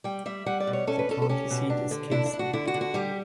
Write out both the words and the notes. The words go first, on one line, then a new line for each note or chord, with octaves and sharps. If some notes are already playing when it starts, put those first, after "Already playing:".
The county seat is Kingston.
G3 G5
G3 E5
G3 F#5
D5
B2
C#5
C#4 A4
B4
C#4 A4
A4
C#4 G4
B2
D4
D3
D4 E4
E4
D4
F#4
D3 E4
F#4
D3
F#4
G3 G4